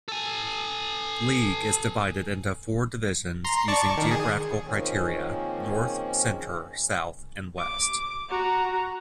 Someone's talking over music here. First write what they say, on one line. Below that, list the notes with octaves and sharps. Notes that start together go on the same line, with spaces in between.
League is divided into four divisions using geographical criteria: North, Center, South and West.
A4 G#5
A#5 C6
D5 A5 C#6
D#3
G#4
D#3 F3 G#3 A#3 C4 C#4
D6
F#4 A#5